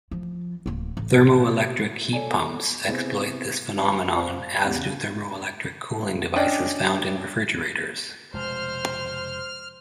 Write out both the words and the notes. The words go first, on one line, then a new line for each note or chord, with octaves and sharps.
Thermoelectric heat pumps exploit this phenomenon, as do thermoelectric cooling devices found in refrigerators.
F3
D1 A#3
A1
A4 C#5 D5 G#5
C3 B3 C4 E4 G#4 B4
C#4 B4 D5 F5 G#5
C5 D5 F5 C6
E2 G#2 C#4 G4 F#5
C#3
C#4 D4 D5 D#5 G5
F1 B2 G#3 C5 F6